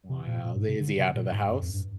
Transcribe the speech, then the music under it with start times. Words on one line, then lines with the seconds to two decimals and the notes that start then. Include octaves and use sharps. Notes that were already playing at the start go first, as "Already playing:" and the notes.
Wow, they is he outta house?
0.09 C3
0.27 A#2
0.44 A#2
0.56 G#2
0.68 C3
0.80 D3
0.97 C3
1.15 A#2
1.32 G#2
1.49 G2
1.62 F2
1.73 G2